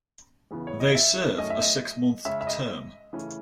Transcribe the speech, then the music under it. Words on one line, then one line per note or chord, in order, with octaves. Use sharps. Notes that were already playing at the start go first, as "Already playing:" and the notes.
They serve a six-month term.
E2 C#3 E3 B3
C#5
D#5
E5
F#2 D#3 A3 C#4 D#5
E5
D#5
C#3 G#3 C#4 E5
E5
D#5
C#3 E3 A3 C#4